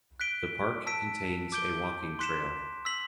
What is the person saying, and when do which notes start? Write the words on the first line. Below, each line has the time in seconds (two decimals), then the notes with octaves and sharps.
The park contains a walking trail.
0.20 F#6 B6 D7 G7
0.86 A5 E6 B6 D7
1.52 D6 G6 D7 G7
2.19 C6 F#6 B6 E7
2.85 E6 B6 F#7